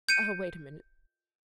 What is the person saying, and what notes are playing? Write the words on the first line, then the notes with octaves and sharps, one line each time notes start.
'Oh, wait a minute.
G6 C#7 D#7